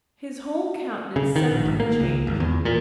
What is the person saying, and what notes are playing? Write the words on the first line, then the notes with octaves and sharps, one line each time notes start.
His whole countenance suddenly changed.
C#3
D#3
A#1
G#1
A#3
C#2
G#1
E2
A#2